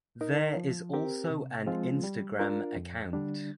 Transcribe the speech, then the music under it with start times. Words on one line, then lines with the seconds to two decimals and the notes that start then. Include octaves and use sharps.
There is also an Instagram account.
0.21 D#4 A#4
0.56 F3
0.93 C4 G4 A#4
1.30 C3
1.66 F3 G#3 C4 F4
2.04 G3
2.39 D4 F4 A#4
2.76 F2
3.13 D3 G3 D4